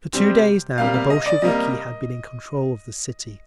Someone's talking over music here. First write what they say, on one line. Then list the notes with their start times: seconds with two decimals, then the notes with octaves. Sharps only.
For two days now the Bolsheviki had been in control of the city.
0.13 C3 G3 C4
0.78 C3 G3 A#3 F5
0.94 F5
1.10 D#5
1.26 D5
1.42 C3 G3 A#3 D#5